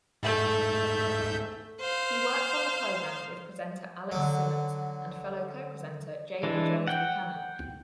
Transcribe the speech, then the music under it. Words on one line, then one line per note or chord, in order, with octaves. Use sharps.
He works on the programme with presenter Alex Simmons and fellow co-presenter Jamie Jones-Buchanan.
G#2 A3 E5 G6
C5 F5
D3 F#3
E3 G#3 D4
F#5 G5